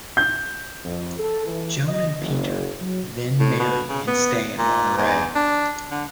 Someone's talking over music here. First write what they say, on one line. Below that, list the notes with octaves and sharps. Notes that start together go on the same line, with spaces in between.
Joan and Peter then marry and stay in Monterey.
G6
F2
A4
E3
D#5
F#1
F#3
A2
B2
C#3
B3
A#2
E2
D4
D3